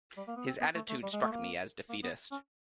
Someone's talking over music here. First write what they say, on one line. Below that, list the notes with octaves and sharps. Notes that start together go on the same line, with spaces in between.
His attitude struck me as defeatist.
G3
A#3
B3
C4
B3
A3
A3
G3
G#3
A3
A#3
A#3
B3
C#4